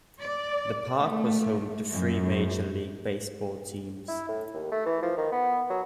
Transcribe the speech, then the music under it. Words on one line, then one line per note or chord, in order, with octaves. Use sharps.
The park was home to three major league baseball teams.
D5
A3
F#2
E4
A2
D#2
A3
E3
F3
D#3
B3
F#3